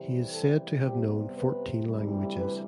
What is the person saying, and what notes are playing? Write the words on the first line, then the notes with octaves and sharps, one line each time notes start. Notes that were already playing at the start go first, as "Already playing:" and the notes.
He is said to have known fourteen languages.
Already playing: C3 E3 G3
A4
C3 G3 B3 G4
B4
D2 C3 E3 G3
B4